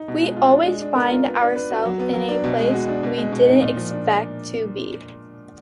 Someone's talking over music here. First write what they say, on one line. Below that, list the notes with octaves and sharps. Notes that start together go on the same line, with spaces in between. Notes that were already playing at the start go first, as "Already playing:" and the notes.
We always find ourselves in a place we didn't expect to be.
Already playing: D#4
B2
G#3
F4
D4
G#3
D4
A#4
F4
B3
D4
B4
F#4
F#3
B3
F#3
D4
B2
G#3
F#4
D4
B2
G#3
B2
D#4
A#2
F3
D4